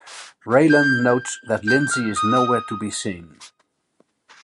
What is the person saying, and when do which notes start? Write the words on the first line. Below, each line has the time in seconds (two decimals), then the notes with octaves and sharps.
Raylan notes that Lindsey is nowhere to be seen.
0.69 G6
1.67 G6
1.91 F6
2.16 D#6